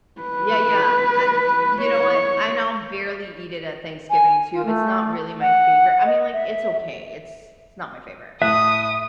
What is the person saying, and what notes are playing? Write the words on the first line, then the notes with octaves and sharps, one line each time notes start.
Yeah. Yeah. Uh, n you know what? I, now, barely eat it at Thanksgiving too, it's not really my favorite. I mean, like, it's okay, it's it's not my favorite.
B4
C#5
G#5
F4
A3
F#5
D#5
E5
A2 E5 D#6 F#6